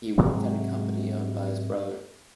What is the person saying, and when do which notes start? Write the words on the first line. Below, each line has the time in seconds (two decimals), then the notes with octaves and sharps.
He worked at a company owned by his brother.
0.18 G#2 C3 F#3 G#3